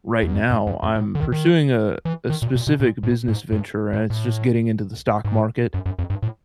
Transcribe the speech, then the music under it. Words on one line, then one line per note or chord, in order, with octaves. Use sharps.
right now. I'm pursuing a a specific business venture, and it's just getting into the stock market.
E2
F2
G2
F#2
F2
A2
D3
D#3
D#3
E3
D#3
A#2
A#2
B2
A#2
A2
G#2
G2
G#2
A2
G#2
F#2
F#2
F2
G2
A2